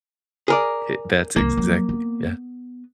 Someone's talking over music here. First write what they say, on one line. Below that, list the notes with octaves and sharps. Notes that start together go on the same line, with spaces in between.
It that's exactly Yeah.
G#4 A#4 D5
C2 E3 A#3
F#3
B3